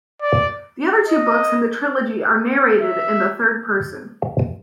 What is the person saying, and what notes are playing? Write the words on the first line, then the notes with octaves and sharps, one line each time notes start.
The other two books in the trilogy are narrated in the third person.
D5
D#5
E5